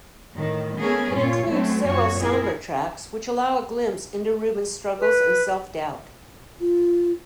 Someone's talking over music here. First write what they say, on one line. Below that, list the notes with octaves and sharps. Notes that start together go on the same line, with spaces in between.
It includes several somber tracks which allow a glimpse into Reuben's struggles and self-doubt.
A2 D#3
A3 B3 C#4 G#4 A#4
G2 A#2 F4 C#5
F#3 A3 C4 C#4
F#2 A#2 F#4 C#5
E4 G#4 A#4
B4
F4